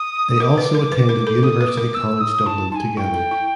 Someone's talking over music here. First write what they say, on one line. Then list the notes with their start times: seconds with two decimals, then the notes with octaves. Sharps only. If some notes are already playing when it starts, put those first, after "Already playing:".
They also attended University College Dublin together.
Already playing: D#6
0.40 A#4 D6
0.58 B4
0.75 A#4
0.92 B4
1.09 A#4
1.27 A4
1.43 A4 D#6
1.61 B4
1.68 D6
1.77 A#4
1.95 E6
2.21 D#6
2.46 E4 A5
2.71 D#4 A5
2.76 G#5
2.97 E4 G5
3.14 A4
3.31 E4